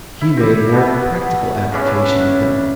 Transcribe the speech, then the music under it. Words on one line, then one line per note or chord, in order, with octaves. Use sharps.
He made a more practical application of them.
E4
G3 C4
B2 B3 E4
C#3 C#4 D4 E4